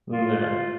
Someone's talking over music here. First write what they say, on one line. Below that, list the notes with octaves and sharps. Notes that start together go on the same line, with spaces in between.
Mm, yeah.
F4
F4